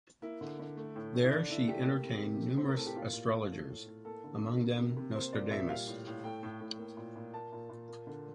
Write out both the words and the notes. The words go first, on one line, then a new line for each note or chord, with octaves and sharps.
There she entertained numerous astrologers, among them Nostradamus.
A#3 E4
D3
D3
A3
A2
A2
E4
D3 D4
D3 E4
A3 G4
A#3
C3
C3
A3
A2 C5
A#4
A2 A4
G4
A#3 F4
A#2
A#2
A3
A2
A2
A#3 A4
D3
D3
A#3
C3
C3
A#3 C5
A#2 D5
A#2 E5
G3 F5
A2
A2
A3 G5
A2
A2
A#3
A#2
A#2
A#3 A5
A#2
A#2
A#3
D3